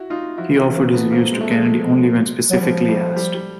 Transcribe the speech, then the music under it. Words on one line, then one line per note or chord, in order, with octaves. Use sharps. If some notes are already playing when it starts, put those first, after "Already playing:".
He offered his views to Kennedy only when specifically asked.
Already playing: E4 F#4
D#4 F4
F3 E4 F#4
E3
D#3 E4 F#4
E3
A#3 C4
A3 B3
A#3 C4
G#3
A3
F3 G#3
F#3
G3
F3 G#3
G3 A3
G3
G3